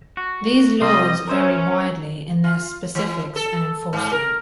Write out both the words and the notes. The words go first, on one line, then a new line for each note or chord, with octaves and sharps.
These laws vary widely in their specifics and enforcement.
F#4
C2 G3 D#5 C6
C#4 A#4 C5 E5
F4
E3
A4
G#2
A#4